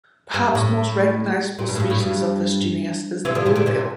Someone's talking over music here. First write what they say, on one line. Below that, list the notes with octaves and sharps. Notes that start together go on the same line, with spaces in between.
Perhaps the most recognizable species of this genus is the bluegill.
G2
A2
A#2
G2
A2
G2
A2
G2
C3 E3
D3 F3
C3 E3
A#2 D3
C3 E3